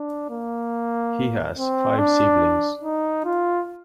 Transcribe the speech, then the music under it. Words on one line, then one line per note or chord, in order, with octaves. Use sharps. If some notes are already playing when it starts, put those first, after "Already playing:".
He has five siblings.
Already playing: D4
A#3
C4
D4
D#4
F4